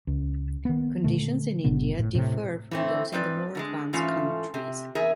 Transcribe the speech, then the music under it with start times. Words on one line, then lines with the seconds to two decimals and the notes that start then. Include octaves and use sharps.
Conditions in India differ from those in the more advanced countries.
0.07 C#2
0.65 D#3 B3
1.04 A#2 D3 A3
1.64 G1 A#2 C#3 B3
1.99 A2
2.15 A2 C3
2.71 E3 A3 C4
3.12 G#2 C4 B4 D5
3.55 D3 G3 G#3
3.93 G#2 E3 A3 C#4 F4
4.54 C3
4.95 E2 G#4 A#4 E5